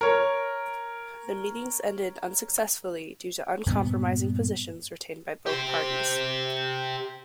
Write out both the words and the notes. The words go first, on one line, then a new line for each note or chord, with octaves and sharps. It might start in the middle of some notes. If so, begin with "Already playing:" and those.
The meetings ended unsuccessfully due to uncompromising positions retained by both parties.
A#4 C#5
G2 A#2 B3
G4 C5